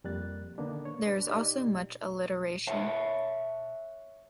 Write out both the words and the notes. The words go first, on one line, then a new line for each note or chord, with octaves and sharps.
There is also much alliteration.
F2 G3 A#3 F#6 A6
D3 D#3 A#3 B3 D4
C#5
D4 B4
D#4 G4 D5
C#5 E5 F#5 A5